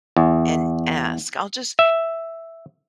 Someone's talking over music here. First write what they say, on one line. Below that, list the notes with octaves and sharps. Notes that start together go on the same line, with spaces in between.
and ask, I'll just
E2
E5